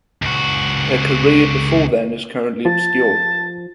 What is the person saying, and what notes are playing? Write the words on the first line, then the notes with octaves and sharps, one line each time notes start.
Her career before then is currently obscure.
C#2 F#4
F3 A5